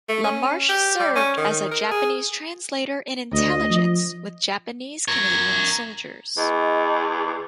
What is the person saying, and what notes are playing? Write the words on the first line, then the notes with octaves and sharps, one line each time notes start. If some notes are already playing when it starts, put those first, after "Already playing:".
LaMarsh served as a Japanese translator in Intelligence with Japanese-Canadian soldiers.
A3
C#4
G4
G3
C#4
D#3
A#4
G#4
D2 D#5
F3
A#4 C#5
E2 D#5